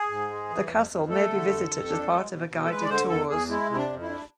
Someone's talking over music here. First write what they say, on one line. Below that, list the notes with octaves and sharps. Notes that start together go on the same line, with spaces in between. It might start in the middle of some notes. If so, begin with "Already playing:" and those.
The castle may be visited as part of a guided tours.
Already playing: G#4
G#2
G#3
E3
F2
F2
A3 A4
D3
F2
F2
D4
G#3
B2
B2
A4
G#3 B4
D5
D3 C5
E2 A4
E2 G#4
G#3 E4
C3 E4
D4
F2
E4
D4